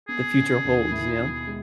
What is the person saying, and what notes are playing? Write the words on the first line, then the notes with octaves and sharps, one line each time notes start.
the future holds, you know?
B3 G#4
C#3
D#2
E4
B2
G#3